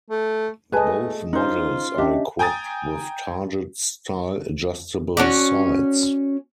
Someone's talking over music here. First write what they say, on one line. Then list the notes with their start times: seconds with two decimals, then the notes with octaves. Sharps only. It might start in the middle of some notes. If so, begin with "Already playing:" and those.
Both models are equipped with target style adjustable sights.
0.10 A3
0.72 A3 G#4 B4 D#5 G#5 A5
1.33 C#4 D#4 F4 C5
1.98 C#4 D4 G4 D#5 E5
2.39 G5 G#5 A#5 D#6 A6
5.17 C#4 F#4 D5